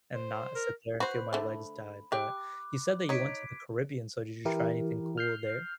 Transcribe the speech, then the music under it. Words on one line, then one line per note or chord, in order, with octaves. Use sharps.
and not sit there and feel my legs die, but, you said that you went to the Caribbean, so, did you try anything cool there?
C5
A#4
F#4 B4 C5 B5
D3 A3
G4 G5 D6 F#6
D#4 C#5 G#6 B6 D7
E3 E4 G4 A#4
F6 G6 C7